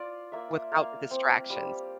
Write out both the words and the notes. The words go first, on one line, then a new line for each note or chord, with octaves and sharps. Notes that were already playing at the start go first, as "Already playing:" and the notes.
without the distractions.
Already playing: F4 D5 F5
A#3 E5
A#3 F5
C4
G3